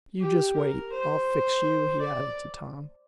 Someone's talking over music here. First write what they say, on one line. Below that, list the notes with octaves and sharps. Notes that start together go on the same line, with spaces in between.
"You just wait, I'll fix you," he added to Tom.
G4
A#4
C5
D5